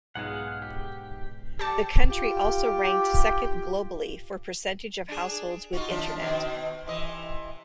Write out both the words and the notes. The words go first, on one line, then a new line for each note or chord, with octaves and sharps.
The country also ranked second globally for percentage of households with internet.
B1 G#2 G#3 F4 G#4 F#5
G4
G4 A4 D5 A5
F4 G4
D4 G#4
D#4 F4 F#4
D#2 F3 D4
B2 D#3 C4
C3 E3 D#5